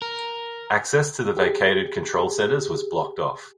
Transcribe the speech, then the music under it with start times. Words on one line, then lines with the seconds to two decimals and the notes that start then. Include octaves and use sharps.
Access to the vacated control centers was blocked off.
0.02 A#4
1.37 G4 G#4